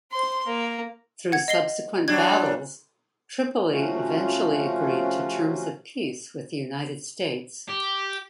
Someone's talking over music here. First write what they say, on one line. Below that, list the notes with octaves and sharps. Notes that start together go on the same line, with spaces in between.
Through subsequent battles, Tripoli eventually agreed to terms of peace with the United States.
C5 C6
A#3
F#5 G#6
D#5 C7 G7
F#3 G3 D4 G#6
C3 F3 A3 C#4 F4 F#4
G4